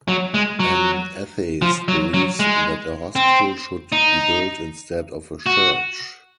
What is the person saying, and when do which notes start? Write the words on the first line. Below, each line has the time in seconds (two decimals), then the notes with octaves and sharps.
An atheist believes that a hospital should be built instead of a church.
0.08 F#3
0.34 G#3
0.60 F#3
1.62 F3
1.88 F#3
2.14 F#3
2.39 G#3
3.16 C4
3.92 D#4
5.46 F#4